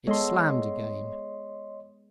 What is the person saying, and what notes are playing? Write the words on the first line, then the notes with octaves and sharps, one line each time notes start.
It slammed again.
G#3 B3 A4 C#5 D#5 C6